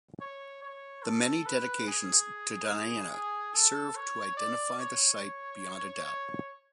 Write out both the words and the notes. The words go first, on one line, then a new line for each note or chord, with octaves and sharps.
The many dedications to Diana serve to identify the site beyond a doubt.
C#5
C#5
A4
B4
G#4
G#4
A4
C#5
D5
C#5
C#5